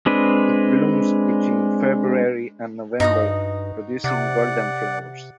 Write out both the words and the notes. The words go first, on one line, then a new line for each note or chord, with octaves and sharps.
It blooms between February and November producing golden flowers.
G#3 C4 D4 B4
G2 D#4 F#4 D#6
C3 D5 F#5